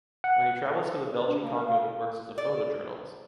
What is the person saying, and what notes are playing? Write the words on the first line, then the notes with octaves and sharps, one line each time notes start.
When he travels to the Belgian Congo he works as a photojournalist.
F#5
D5
D4
A#3
A#4
F5
D5